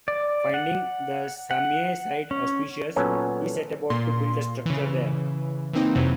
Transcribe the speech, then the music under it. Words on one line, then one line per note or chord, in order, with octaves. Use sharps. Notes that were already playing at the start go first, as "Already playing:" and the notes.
Finding the Samye site auspicious, he set about to build a structure there.
D5
F#5
F#5
C#4
A#2 F#3 B3 C#4 A4
A#2 A#3 C6
C#3 E3
E3 A#3 C4 D#4
F2 C3 E3 F#3